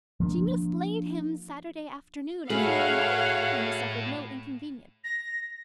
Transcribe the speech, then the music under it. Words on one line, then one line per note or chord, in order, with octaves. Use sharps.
She mislaid him Saturday afternoon--and for a long time suffered no inconvenience.
F3 A#3 D4
A2 A3 F#4 G#4 C#5 F5 F#5 B5
A#6